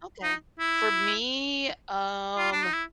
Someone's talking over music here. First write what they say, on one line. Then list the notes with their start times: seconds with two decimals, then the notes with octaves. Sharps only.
Okay, for me, um
0.23 D#4
0.59 E4
2.37 F4
2.52 D4
2.63 D#4
2.73 E4